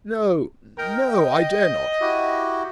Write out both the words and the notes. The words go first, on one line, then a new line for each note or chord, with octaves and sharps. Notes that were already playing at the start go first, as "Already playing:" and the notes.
"No--no, I dare not."
D#4 A#4 G5
D#5
E4 F#4 G4